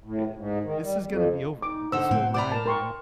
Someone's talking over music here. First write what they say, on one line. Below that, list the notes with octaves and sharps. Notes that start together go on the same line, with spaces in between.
eh this is gonna be over, like, this whole ride that I'm on
A2
G#2
D#3
G3
F2
D#4 D6
D3 D#4 C5 F#5 E6
A2 C4
C5 D5 A#5 B5 D6
A#4 A5
A#4 G5 C6 C#6